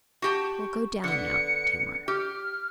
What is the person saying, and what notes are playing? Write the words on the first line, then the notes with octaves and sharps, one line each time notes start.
'We'll go down now, Tamar.'
F#4 G4 A5
D3 B3 C#7
G4 F6